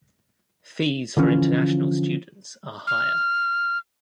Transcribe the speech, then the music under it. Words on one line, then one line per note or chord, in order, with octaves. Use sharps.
Fees for international students are higher.
D3 E3 F3 C#4
F6